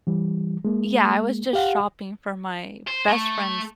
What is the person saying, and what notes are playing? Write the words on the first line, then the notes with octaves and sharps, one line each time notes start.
yeah. I was just shopping for my best friend's
E3 G3
G#3 A#3
G4 F5 F#5
C5
A3